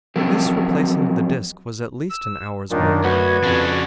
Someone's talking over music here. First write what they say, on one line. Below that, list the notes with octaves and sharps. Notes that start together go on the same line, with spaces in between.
This replacing of the disc was at least an hour's work.
F3 F#3 C4 G4 A4 A#4
E6
F#2 A#2 D#3 D4 D#4
D2 B3 F#4 G#6
F2 C#3 D4